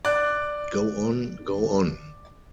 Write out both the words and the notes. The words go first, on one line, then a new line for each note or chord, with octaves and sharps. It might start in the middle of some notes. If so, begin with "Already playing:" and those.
Go on, go on!
D5 F#6